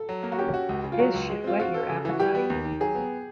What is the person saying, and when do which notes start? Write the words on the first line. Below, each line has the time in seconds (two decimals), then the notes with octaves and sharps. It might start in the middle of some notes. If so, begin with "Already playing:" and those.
This should whet your appetite.
Already playing: A4
0.09 F#3
0.23 A#3
0.32 F#4
0.38 C#4 G4
0.54 F#4
0.69 C#2
0.84 C#3
0.92 F4
0.99 F#3 F#4
1.14 C#2
1.29 G#3
1.44 C4 F4
1.60 F4 F#4
1.74 A4
1.89 C#3
2.05 E3 F#4
2.20 G3 G4
2.35 B3
2.50 D#2
2.65 D#3
2.80 F#3 G#4
2.95 B3